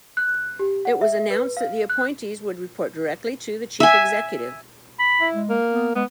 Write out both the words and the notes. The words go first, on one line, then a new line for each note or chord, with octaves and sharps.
It was announced that the appointees would report directly to the chief executive.
F#6
G4
F#5
E5
B4
F5
F#6
E5 G#5
B5
E4
G#3
A#3
B3
G#3 B3